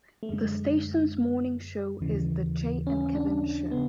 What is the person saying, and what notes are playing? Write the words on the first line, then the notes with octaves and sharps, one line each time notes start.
The station's morning show is "The Jay and Kevin Show".
A3
F#2 D3 G#3
D#2 C#3 E3
C#4
D4
C#3 B3